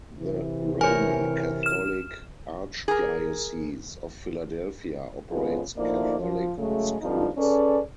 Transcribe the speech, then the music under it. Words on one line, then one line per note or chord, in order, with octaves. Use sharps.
The Roman Catholic Archdiocese of Philadelphia operates Catholic schools.
C3 E3
A#4 C#5 G#5
F6 E7
G#4 A#4
F2 C#3 G#3 B3 F4 B4
D2 F3 A#3 D#4 E4 D5
F3
C#3 F#3 G#3 A3
G2 D3 F3 C4 D#4 F4
C#4 G#4 A4 B4 D5